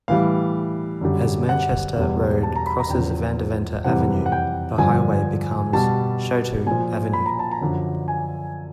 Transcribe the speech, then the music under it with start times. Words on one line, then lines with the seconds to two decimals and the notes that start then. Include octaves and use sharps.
As Manchester Road crosses Vandeventer Avenue, the highway becomes Chouteau Avenue.
0.08 A2 E3 G3 F5
1.01 F#2 D3 G3
1.49 F#5
1.96 E2 B2 G3
2.43 A5
2.56 A#5
2.67 B5
2.79 A#5
2.90 E2 C#3 F3 G5
3.84 F2 C3 E3 G3 F#5
4.26 F#5
4.32 G5
4.78 G2 D3 F3 G#5
5.73 B2 G3 A5
6.67 A#2 F3 G#5
7.13 B5
7.26 A#5
7.39 A5
7.51 A#5
7.61 F#2 D3 F3
8.08 G#5